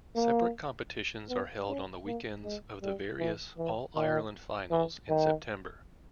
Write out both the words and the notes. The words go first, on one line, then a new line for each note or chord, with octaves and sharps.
Separate competitions are held on the weekends of the various All-Ireland Finals in September.
A#3
B3
C#4
A#3
G#3
G3
E3
E3
D#3
E3
D#3